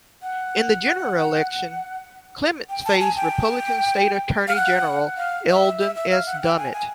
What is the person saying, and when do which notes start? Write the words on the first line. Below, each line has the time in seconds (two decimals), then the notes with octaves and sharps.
In the general election, Clements faced Republican state attorney general Eldon S. Dummit.
0.22 F#5
2.69 G5
2.85 A5
3.01 G#5
3.17 G5
4.48 F5
4.56 F#5
5.17 F5
5.49 E5
5.80 E5
5.95 E5
6.11 F5
6.26 F#5
6.42 G5
6.58 G#5
6.73 G#5